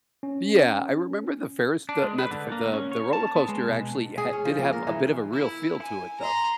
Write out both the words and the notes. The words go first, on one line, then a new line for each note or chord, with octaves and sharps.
Yeah, I remember the Ferris the not the f the the roller coaster actually ha did have a bit of a real feel to it, though,
C#4
D4
G#3
B4
D3
A#3
C#4
C#5
A5
B3
G#3
B2
G#4
C#4
F3
A#3
A#4
E3
E4
G#5
A#5 C6